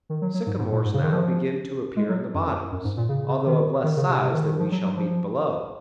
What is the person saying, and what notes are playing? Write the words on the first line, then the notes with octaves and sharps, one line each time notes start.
Sycamores now begin to appear in the bottoms, although of less size than we shall meet below.
D#3
F#3
F#3
G#2
G#2
A#2
G#2
C#3
D#3
F3
G#3
F#3
F#2
F#2
G#2
A#2
C#3
C#3
D#3
D#3
C#3
C3
C3
D#3
D#3
F3
F#3
F#3
F3